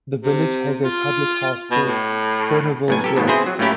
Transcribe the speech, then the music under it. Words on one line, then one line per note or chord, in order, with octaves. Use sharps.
The village has a public house called 'Fernaville's Rest'.
C3
F4
B2
A2
B1 A2 G#5
G4 A4 A#4
D#2 G#2 B2
C4 E4 G#4 C5
F#3
A2 A3 A#3 C#4 E4 G4